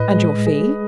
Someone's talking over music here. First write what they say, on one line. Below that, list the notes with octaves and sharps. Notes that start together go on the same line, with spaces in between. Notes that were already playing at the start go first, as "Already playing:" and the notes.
"And your fee?"
Already playing: A2 B4 D#5
G#3
G#4